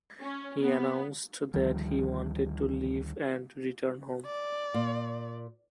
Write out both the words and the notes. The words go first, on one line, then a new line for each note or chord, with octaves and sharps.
He announced that he wanted to leave and return home.
C#4
B3
D2 D#3 F3 G3
D5
A#2